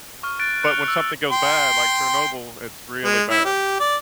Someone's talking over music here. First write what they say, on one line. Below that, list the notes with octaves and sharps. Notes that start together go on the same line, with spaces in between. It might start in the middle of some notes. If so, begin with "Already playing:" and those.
But when something goes bad, like Chernobyl, it's really bad.
C#6 F6
F#6 A6 D7
F#6 C#7 D7 F7 G7
E6
G5 C6
G#3
E4
G4
D5